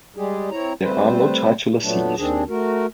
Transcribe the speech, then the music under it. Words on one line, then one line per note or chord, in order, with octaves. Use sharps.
There are no titular sees.
G3 G#3 G4 G#4
C4 E4 C#5 A#5
G3 A3 C4 B4 C5
A#2 F#3 A3 B3 D4
D#2 D#3 C4 D4 G#4
A3 F#4 A#4